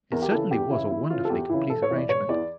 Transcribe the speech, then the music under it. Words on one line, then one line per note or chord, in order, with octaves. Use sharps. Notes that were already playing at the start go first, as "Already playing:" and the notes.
It certainly was a wonderfully complete arrangement.
E2 A#4
G4
C#3 E3 A4
E2 G4
C#3 E3 E4
E2 E4
C#3 E3 F4
A4
E2 G4
C#3 E3 E4
E1 A4
C#5
E2 E3
D5
E1 C#5
E2 E3 D5